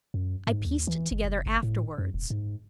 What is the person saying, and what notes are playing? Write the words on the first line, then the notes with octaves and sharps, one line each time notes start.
I pieced it together afterwards.
F#2
G#2
D#2
E3
G1
F#1
G1
A2
F#2
E1
G#2